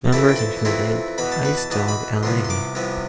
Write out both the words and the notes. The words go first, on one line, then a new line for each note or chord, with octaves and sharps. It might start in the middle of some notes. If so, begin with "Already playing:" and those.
Members included Ice Dog, L. A.
F2 E3 A3 C4 E4 A5
G5
A5
F2 E3 A3 C4 E4 C6
E2 B2 B3 B5
A5
B4
A5
E2 B2 B3 A5
B5
C2 C3 F3 B3 C6
C6
D6
C2 C3 F3 B3